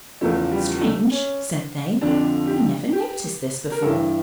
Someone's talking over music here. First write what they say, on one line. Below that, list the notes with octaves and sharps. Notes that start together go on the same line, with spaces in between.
Strange, said they, we never noticed this before.
E2 C#3 F3 A3
G3
A3
C#4
F2 D3 F3 D4
G4
G4
A#4
G2 E3 A4